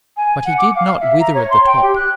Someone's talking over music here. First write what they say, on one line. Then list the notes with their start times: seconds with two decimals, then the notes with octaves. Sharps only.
But he did not wither at the top.
0.17 G#5
0.45 F#5
0.58 D6
0.75 F5
1.01 E5
1.20 A#5
1.34 C#5
1.50 C6
1.66 G5
1.82 G4
1.95 F#6